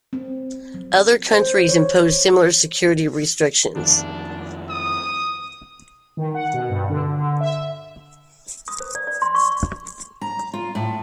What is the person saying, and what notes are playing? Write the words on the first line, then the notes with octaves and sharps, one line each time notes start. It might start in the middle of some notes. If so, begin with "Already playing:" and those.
Other countries imposed similar security restrictions.
C4
F#3
C5
C#5
F2 D#3 D4
D#6
D#3
F#5
B2
G2
D3
D3
E5
D#6
C5
D5
D5
C6
C#6
A#5
F4
A2